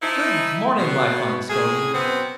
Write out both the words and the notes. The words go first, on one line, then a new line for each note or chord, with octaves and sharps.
'Good-morning, my fine Scullion!'
F3 D#4 E4
B2
A2 G#4
F#2 B2 B3 C4